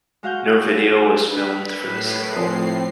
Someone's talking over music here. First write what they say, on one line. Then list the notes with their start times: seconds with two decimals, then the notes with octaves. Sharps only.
No video was filmed for the single.
0.23 G#3 F#4 F5 F#5 G6
1.31 D4 B4
1.80 A2 C7
2.37 F3 C4 F4